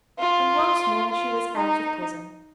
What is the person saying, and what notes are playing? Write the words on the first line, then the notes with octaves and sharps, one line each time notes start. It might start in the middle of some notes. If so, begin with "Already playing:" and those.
And once more she was out of prison.
F4
F4
D#4